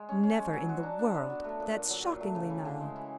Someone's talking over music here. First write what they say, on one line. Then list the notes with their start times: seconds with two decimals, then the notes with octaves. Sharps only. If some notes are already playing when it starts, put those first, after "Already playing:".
Never in the world; that's shockingly narrow.
Already playing: G#3
0.09 C#4
0.23 C#4
0.38 G#3
0.53 F#3
0.69 F#4
0.83 D4
0.99 D4
1.14 B3
1.30 F#4
1.44 A3
1.60 A#2
1.75 A#2
1.89 F#3
2.04 A#2
2.20 A3
2.35 C#3
2.50 E3
2.65 C#3
2.80 G#3
2.96 E3